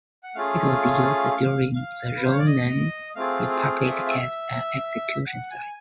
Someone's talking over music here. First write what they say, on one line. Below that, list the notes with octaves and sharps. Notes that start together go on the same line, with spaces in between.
It was used during the Roman Republic as an execution site.
F#5
A3 C#4 F4 G#4 F5
F5
B4
C5
C#5
D5
D#5
A3 C4 F4 G#4 F5
F5
E5
F5
E5
F#5
G#5